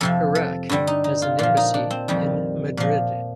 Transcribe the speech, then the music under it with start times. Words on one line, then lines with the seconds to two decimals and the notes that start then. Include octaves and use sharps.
Iraq has an embassy in Madrid.
0.01 F2 C3 F3 A4
0.35 A4
0.69 G2 D3 G3
0.87 D#4
1.04 D#4
1.22 F4
1.39 A#2 F3 F4
1.57 D#4
1.74 D4
1.91 C4
2.08 F2 D#3 G3
2.77 A#2 F3